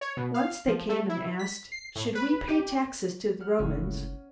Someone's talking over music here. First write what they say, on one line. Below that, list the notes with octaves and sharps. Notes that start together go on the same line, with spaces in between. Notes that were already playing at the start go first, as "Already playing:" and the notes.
Once they came and asked, "Should we pay taxes to the Romans?"
C#5
B2
F5
F3
A3
E4
B6
C7
A2
B4
G4
F#5 F6
F#1 C#2 A2 C#4